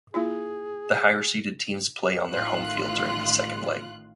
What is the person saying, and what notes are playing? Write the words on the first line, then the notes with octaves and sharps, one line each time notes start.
The higher seeded teams play on their home field during the second leg.
A#3 E4 F4 G#4
A1 A2 D#3 F4 F#6